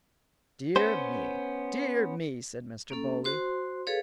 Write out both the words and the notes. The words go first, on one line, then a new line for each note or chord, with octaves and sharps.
"Dear me, dear me," said Mr. Bowley.
B3 C#4 C5
A#3 C#4 A4
F#4 C5 C6
G#4 A4 B4 C#5 F5